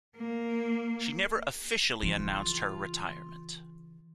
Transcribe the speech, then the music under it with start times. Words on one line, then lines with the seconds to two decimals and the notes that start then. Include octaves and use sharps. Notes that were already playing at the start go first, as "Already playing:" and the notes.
She never officially announced her retirement.
0.16 A#3
2.03 C#3 E3 F4